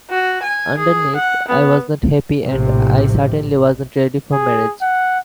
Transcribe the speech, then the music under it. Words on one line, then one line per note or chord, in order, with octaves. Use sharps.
Underneath, I wasn't happy and I certainly wasn't ready for marriage.
F#4
G#5
G#4
F#5
B3
A#1 A2 C3
G#4
F#5